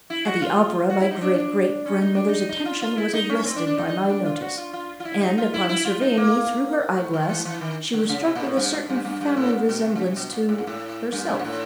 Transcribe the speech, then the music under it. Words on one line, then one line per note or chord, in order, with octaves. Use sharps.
At the opera, my great, great, grandmother's attention was arrested by my notice; and, upon surveying me through her eye-glass, she was struck with a certain family resemblance to herself.
E4
F#4
F4
F#4
E4
D#4
D4
C#4
D4
C#4
D#4
D4
D#4
D#4
F4
F4
E4
D#4
C#4
C4
D4
D4
D#4
D#4
D#4
D4
F4
F4
F#4
F4
F4
F4
E4
D#4
F4
E4
E4
F4
D#4
A#3
A3
D#3
E3
E3
D#3
D3
C#3
C3
A#2
A2
G2
G#2
G2
G2
G2
A2
A#2
B2
C3
C#3
C3
B2
A#2
A2
A#2
A2
G2
G#2
A#2
A2